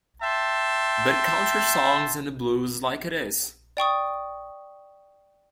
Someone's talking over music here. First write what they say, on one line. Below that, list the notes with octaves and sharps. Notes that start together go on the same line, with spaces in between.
But country songs and the blues is like it is.
E5 G5 A5 C6
D5 G5 C#6 D#6